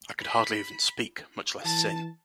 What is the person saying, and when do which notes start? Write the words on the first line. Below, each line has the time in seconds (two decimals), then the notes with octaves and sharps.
I could hardly even speak, much less sing.
0.22 B5
1.65 E3 A5